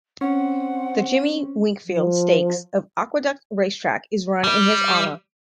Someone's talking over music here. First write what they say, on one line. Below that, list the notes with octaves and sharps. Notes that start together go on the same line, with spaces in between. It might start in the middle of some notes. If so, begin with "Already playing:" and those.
The Jimmy Winkfield Stakes at Aqueduct Racetrack is run in his honor.
C4 C#4 F#5
F3
G3